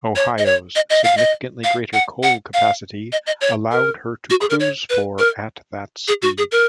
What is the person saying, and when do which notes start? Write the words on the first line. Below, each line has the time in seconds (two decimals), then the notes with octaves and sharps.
"Ohio"s significantly greater coal capacity allowed her to cruise for at that speed.
0.16 C#5
0.38 D#5
0.46 C#5
0.76 D#5
0.90 D#5
1.04 F5
1.17 D#5
1.64 F5
1.93 F#5
2.23 F#5
2.54 F5
3.12 D#5
3.27 D#5
3.41 C#5
3.72 A#4
4.30 F#4
4.41 G#4
4.50 A#4
4.60 C#5
4.90 B4
5.19 A#4
6.08 G#4
6.22 F#4
6.38 G#4
6.52 A#4